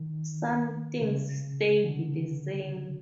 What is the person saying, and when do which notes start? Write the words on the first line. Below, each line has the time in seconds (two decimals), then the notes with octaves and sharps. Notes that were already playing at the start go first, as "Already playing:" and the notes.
Some things stayed the same.
Already playing: D#3
1.01 C#3
1.84 D3